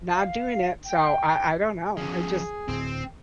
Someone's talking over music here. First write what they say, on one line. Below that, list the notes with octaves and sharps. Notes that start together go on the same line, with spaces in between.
not doing it, so, I I don't know, I just
F5
G5
F3 C#4 G#4
D1 C4